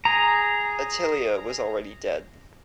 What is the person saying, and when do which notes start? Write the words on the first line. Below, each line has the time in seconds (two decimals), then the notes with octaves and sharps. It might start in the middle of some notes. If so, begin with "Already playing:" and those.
Attilia was already dead.
0.05 G#4 A#5